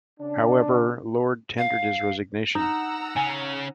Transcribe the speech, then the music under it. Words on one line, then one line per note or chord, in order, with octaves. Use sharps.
However, Lord tendered his resignation.
C#3 D4
F5
D#4 F#5 A#5 E6
C#3 C#4 G#5